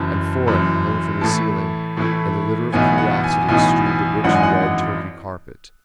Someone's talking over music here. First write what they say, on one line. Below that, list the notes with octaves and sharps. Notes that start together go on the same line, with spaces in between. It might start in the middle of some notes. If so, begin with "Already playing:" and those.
Amphorae hung from the ceiling, and a litter of curiosities strewed the rich red Turkey carpet.
Already playing: F#1 F#2 E3 A5
F#1 F#2 E3
A2 E3 A3 E4 A5
A2 E3 A3 E4
B1 A2 E3 B3 D#4 G#5
F#5
G#5
B1 A2 E3 B3 D#4 G#5
G#5
G#1 F#2 E3 G#3 D#4 F#5
G#5
F#5
F#5